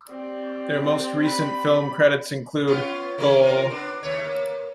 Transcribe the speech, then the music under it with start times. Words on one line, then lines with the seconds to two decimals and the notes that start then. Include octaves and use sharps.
Their most recent film credits include Goal!
0.10 C4 G4 D5
1.25 B5
2.67 B3 C#4 F4
3.18 D#3 A#3 C#4
3.44 F4 A#4
3.70 B3 D4
4.03 D#2 A3 C#5
4.24 A#3